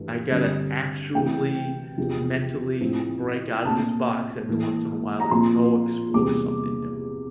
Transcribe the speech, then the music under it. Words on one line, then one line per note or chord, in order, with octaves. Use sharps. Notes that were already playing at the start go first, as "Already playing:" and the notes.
I gotta actually mentally break out of this box every once in a while and go explore something new."
Already playing: G2 E3 A3
G2 D3 G3 C4
C3 E3 A3 G5
E2 C3 F3 C4
A2 F3 C4
A#2 A3 C4 A5
A2 E3 A#3
A#5
A#2 F3 C4 C6
E2 C3 G3 D6